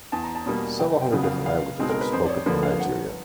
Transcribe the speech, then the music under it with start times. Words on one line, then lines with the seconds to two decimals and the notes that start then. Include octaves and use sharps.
Several hundred different languages are spoken in Nigeria.
0.12 E2 A5
0.24 A#5
0.35 A5
0.46 B2 G3 A#3
0.79 F#1 G5
1.01 G5
1.12 F2 C#3 F#3 B3
1.23 F5
1.46 C#2 F5
1.79 B2 G#3 C4 D#4
1.89 A#4
2.01 B4
2.13 F2 C5
2.25 D5
2.29 C#5
2.46 D3 F3 A#3 B4
2.63 F5
2.79 G1 F#5